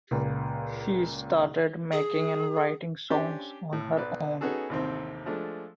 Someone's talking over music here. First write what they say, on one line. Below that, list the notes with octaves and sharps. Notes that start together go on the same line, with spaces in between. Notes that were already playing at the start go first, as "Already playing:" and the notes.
She started making and writing songs on her own.
C#2 A#2
G#4
C#4 D4 G4 C5 D5
A2
B1 B4 D5
B3 C#4 D#4 F#4 G#4 A4
A1 D#2 C3 D#3 C4
F3 G#3 A3 D4